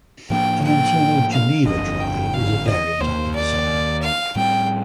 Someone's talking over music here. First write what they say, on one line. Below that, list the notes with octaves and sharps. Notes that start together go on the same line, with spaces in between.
An internal Geneva drive is a variant on the design.
A2 F3 A#3 D4 G5
G5
F5
G1 F2 D3 D#5
G5
F5
D#5
D#2 D#3 A#3 C5
D5
F5
A2 G3 C4 G5